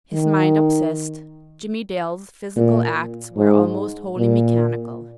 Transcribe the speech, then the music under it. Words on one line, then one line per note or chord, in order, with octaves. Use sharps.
His mind obsessed, Jimmie Dale's physical acts were almost wholly mechanical.
D#3
A#2
G#2
A#2